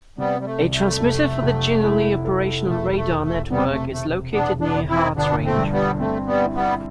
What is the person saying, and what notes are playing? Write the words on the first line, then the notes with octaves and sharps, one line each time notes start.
A transmitter for the Jindalee Operational Radar Network is located near Harts Range.
C3 G3 B3
G3
A3
C2
A3
F1
F1
E4
A4
E1 A3
G3
A3
E1
A3
C3 G3 B3
A3
C3 A3
E1 B3 D4
B3 D4
E1
C4 E4
G1 B3 D4
A3 C4
G2
G3 B3
A3 C4
G3 B3
E4
G3 B3